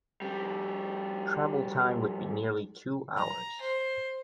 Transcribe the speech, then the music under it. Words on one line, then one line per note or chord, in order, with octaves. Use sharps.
Travel time would be nearly two hours.
F2 G3
A#5
C5